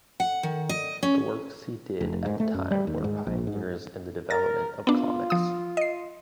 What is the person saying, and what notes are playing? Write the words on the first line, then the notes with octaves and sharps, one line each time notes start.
The works he did at that time were pioneers in the development of comics.
F#5
D#3
D#5
C#4
F1
G#2
A3
F#2
G3
D#2
G#2
A#1
G#2
A#4 A6 A#6
B3 D4 F4
F3 D#6
D#5 C7